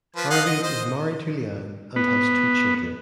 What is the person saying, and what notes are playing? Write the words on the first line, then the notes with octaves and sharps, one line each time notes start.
Harvey is married to Leanne and has two children.
F3 B4
D#5 F5 F#5
D#5
C5 D#5
B3